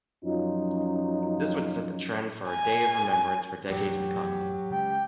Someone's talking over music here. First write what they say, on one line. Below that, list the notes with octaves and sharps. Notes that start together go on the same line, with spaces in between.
This would set the trend for a day of Remembrance for decades to come.
F#2 F3 C#4 D#4 F4
G#5
F#2 A2 E3 F#3 G4
C#3 G#3 G5